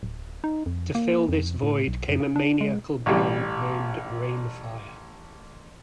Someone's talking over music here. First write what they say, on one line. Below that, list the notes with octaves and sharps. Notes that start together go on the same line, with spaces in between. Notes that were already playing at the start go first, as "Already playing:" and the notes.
To fill this void came a maniacal being named Reignfire.
D1
D#4
F2
A#3
F2
A2
B1
F#2
C#3
D4
G#3
A1 E3 G3